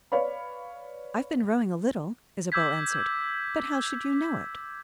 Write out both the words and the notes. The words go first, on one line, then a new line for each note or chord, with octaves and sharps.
"I've been rowing a little," Isabel answered; "but how should you know it?"
B4 C#5 D5 F5 B5
D6 E6 G6 G#6 B6